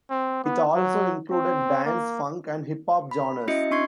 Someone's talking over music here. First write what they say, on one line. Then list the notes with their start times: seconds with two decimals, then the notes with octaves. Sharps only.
It also included dance, funk, and hip hop genres.
0.10 C4
0.44 B3
0.75 F#3
1.32 C4
1.85 A#3
3.11 B5
3.48 C#4 E4 F#4 D#5 E5 C#7
3.71 C4 D4 C6 C#6 G#6 C7